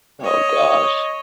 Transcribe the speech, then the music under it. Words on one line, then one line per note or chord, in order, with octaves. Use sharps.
Oh, gosh.
C#5 D#5